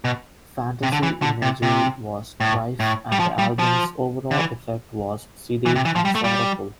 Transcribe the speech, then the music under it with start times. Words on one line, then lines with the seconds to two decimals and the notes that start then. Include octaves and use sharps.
Fantasy imagery was rife and the album's overall effect was sedate and sorrowful.
0.05 B2
0.83 C3
0.92 D3
1.03 E3
1.22 D3
1.42 C3
1.62 C3
2.41 A2
2.80 A2
3.12 G3
3.19 F3
3.39 G3
3.59 F3
4.31 D3
4.38 E3
5.66 E3
5.76 C3
5.85 E3
5.95 F3
6.05 G3
6.15 A3
6.24 G3